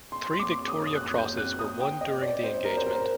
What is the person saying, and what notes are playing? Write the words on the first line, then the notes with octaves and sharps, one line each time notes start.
Three Victoria Crosses were won during the engagement.
C6
C6
D6
D#6
D#6
F#6
G6
F#6
D#6
G5
D#5
D5
C5
A#4
C5
A#4